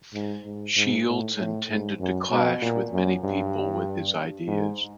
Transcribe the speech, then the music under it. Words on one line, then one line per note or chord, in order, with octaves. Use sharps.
Shields and tended to clash with many people with his ideas.
G#2
G#2
G#2
A2
A2
G#2
F#2
B2
A#2
F#2
G2
G#2